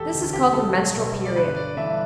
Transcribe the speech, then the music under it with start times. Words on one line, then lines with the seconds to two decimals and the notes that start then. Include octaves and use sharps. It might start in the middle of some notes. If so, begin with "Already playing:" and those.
This is called the menstrual period.
Already playing: E1 G4 A4
0.13 D2 D3
0.33 G4
0.53 B1 A4
0.95 B2 G3 B3
1.25 D5
1.35 G1 B4
1.56 D5
1.76 G2 E3 A3 E5